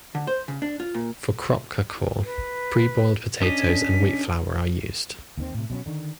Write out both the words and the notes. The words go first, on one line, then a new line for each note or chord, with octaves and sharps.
For kroppkakor, pre-boiled potatoes and wheat flour are used.
D3
C5
C#3
D4
F4
A#2
B4
C#4 D4 D#5 B6
D#2 D#3 C4
A2 C3
B2 F#3 C4 C#4
D3 D#3